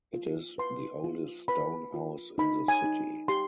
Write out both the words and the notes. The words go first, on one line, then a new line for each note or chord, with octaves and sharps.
It is the oldest stone house in the city.
F4
B4 C6
F4
B4 B5
F4
D#4 B5
G#5
D#4
G4 C6